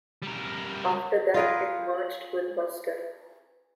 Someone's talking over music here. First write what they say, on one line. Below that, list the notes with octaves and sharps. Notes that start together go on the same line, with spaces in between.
After that it merged with Buster.
G3 A#4
F4 G#4 A#4 B4